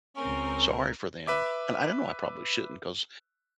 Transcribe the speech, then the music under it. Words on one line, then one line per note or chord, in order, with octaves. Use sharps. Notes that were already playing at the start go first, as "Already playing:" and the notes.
sorry for them, and I don't know, I probably shouldn't 'cause,
C#2 C4 C#4 A#4
B4 E5 D6